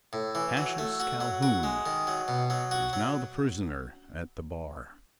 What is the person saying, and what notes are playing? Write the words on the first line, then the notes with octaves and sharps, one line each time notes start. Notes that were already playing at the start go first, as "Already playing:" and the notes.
Cassius Calhoun is now the prisoner at the bar!
A2
E3
F#3
A3
F#4
F#3
F#4
G#3
D#3
F#3
B2
F#3
F#4
F#3